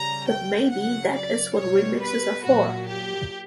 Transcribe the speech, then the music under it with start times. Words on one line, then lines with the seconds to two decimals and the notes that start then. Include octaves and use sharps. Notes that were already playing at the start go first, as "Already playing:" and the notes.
But maybe that is what remixes are for.
Already playing: C#3 G3 A#5
0.28 G5
0.71 C#3 F#3 F#5
1.14 D5
1.58 B2 G3 C#5
2.01 B4
2.45 A#2 F#3 F#4
2.88 G4